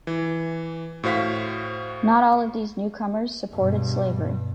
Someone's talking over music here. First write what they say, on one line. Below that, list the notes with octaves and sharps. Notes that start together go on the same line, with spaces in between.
Not all of these newcomers supported slavery.
E3
A2 F#4 C5 F5 B6
G2 B2